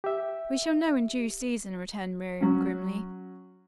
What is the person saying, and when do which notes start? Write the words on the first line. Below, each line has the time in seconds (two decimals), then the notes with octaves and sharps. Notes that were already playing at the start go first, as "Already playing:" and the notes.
"We shall know in due season," returned Miriam grimly.
0.04 G4 E5
2.41 F#3 C#4